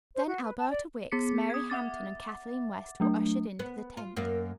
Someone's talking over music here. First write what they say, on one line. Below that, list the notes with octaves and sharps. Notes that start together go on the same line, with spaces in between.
Then Alberta Wicks, Mary Hampton and Kathleen West were ushered into the tent.
C5
F#4
B4
A5
D5
B3 G#4 D6 B6 C#7
D#6 G#6
E5 F#5 D6 A6
F#3 A3 D4
B3
F4
F#2 A#3